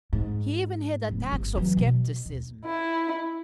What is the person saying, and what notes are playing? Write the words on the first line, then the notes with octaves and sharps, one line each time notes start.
He even had attacks of scepticism.
G#2
D1 C#2
G1
E3 F#3
B2
D#2
E4